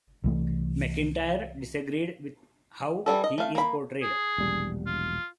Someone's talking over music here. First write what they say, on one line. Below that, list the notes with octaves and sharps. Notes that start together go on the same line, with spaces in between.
McIntyre disagreed with how he is portrayed.
C2 E3 A3
E3 F#3 G3 A4
D#5
A3 F5
A#3 B5
G#4
E1 A#1 G3
F4